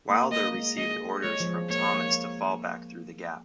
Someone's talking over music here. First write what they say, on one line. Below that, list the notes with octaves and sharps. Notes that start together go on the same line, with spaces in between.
Wilder received orders from Thomas to fall back through the gap.
A#3
A#3 D#5
G#3
G#3 D#5
G#3 C#5
F3
G#3
A#3 C#5
A#3